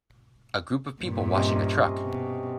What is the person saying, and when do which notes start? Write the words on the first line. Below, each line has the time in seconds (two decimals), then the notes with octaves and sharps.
A group of people washing a truck.
1.01 G2 A#2
1.35 C3 C#4 D#5
2.06 B2